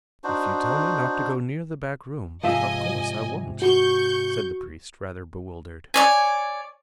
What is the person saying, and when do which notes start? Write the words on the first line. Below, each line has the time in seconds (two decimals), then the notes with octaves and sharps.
"If you tell me not to go near the back room, of course I won't," said the priest, rather bewildered.
0.24 D4 D#4 F#4 C5
2.43 G#2 C3 F3 D#5 E5 G#5
3.62 F#4 C#6 G6
5.94 C#5 D5 G#5